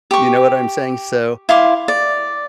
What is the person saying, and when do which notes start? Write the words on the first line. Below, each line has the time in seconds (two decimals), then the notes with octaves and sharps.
You know what I'm saying, so
0.11 G4 C#6
1.49 E4 F5 C6 D6
1.88 D5